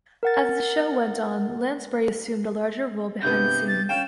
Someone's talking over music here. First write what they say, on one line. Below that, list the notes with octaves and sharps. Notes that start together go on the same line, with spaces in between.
As the show went on, Lansbury assumed a larger role behind the scenes.
A#4 F#5 A6
G2 C3 B3 G6
A6
C#4 F5 G5 E7